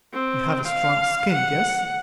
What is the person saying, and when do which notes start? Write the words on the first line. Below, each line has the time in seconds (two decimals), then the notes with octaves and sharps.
You have a strong skin--yes?
0.13 C4
0.68 F5
1.32 F#5